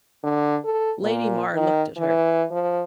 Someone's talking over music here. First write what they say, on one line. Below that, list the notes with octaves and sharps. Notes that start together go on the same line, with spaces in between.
Lady Mar looked at her.
D3
A4
A#2
D#3
E3
F3